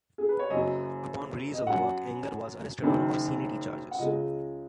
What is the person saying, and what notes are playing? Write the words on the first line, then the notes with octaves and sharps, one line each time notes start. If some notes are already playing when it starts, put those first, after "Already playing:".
Upon release of the work, Anger was arrested on obscenity charges.
G#4
B4
C#5
F#1 F#2 F#3 D#5
D#5
F#2 F#3 F#5
F#1 F#2 D#3
F#5
C#2 C#3 G#3 D#5